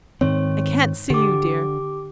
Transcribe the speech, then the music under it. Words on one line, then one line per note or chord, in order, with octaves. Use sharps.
I can't see you, dear!
G#2 D#3 C4 C#5
D3 G4 D6